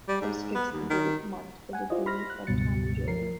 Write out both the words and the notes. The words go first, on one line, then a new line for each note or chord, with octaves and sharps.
"Puss Gets the Boot" marked the debut of Tom and Jerry.
G3
G#2
B3
D#2
D#3
F#5 G#5
E4 F4 C5 D5 D#5
B5 C6 F6 A#6
F#6
C#2 G2 B2 F#3 A6 C#7
F3 A#4 C7